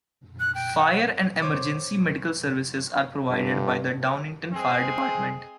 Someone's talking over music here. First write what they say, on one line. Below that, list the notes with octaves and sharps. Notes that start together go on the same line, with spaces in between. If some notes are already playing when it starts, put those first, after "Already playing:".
Fire and emergency medical services are provided by the Downingtown Fire Department.
F#6
G5
F#5
C5 C#5 D6
G1 G2
G#3 C4 G#4